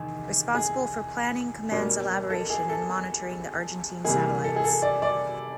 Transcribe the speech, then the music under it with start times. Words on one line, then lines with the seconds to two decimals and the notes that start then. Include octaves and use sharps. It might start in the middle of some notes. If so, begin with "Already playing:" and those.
Responsible for planning, commands elaboration and monitoring the Argentine satellites.
Already playing: E2 C3 D#3 G#4
0.55 G#4
1.71 B2 G3 A#3 D4
2.30 A4
2.50 G#4
2.69 A4
4.05 C3 E3 G3 A#3 G#4
4.44 A4
4.56 G#4
4.64 A4
4.82 D5
5.02 D5